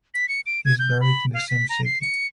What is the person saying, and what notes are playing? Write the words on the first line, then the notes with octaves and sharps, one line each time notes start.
He is buried in the same city.
B6
C#7
D7
G#6
G6
B5
F5
B6
A#5
C7
C#7